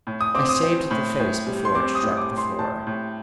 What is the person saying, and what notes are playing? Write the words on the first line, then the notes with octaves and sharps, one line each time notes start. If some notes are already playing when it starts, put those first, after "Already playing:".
I saved the face before it struck the floor.
A2
D#6
C4 D6
D#6
C4
A2
A2
G3
C6
C4 D6
D#6
A2
D6
A2
C6
A2 A5
A2